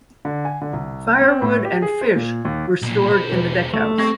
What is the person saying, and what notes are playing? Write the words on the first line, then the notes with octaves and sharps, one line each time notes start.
Firewood and fish were stored in the deckhouse.
D3
G#5
D3
C2
C4
A2
G4
G#4
C5
A#2
D#2
B1 A#2
B2 C5 B5
E1 B4
A3
C4 C#6 G#6 A#6